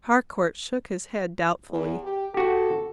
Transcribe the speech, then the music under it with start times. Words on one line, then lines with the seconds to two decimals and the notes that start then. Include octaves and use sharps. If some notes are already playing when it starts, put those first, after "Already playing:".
Harcourt shook his head doubtfully.
1.70 E2
2.03 G4
2.34 F#4 G4 A4